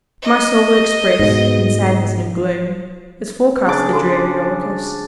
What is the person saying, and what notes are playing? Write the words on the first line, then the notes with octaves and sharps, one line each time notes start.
My soul would express, in sadness and in gloom, its forecast of the dreary Orcus.
D#5
G#2 B2
C#3 D4 D6
F#4 A4 C6